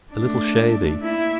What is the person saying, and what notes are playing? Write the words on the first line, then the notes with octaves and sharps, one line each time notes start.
A little shady.
A3 D4
A#3 E4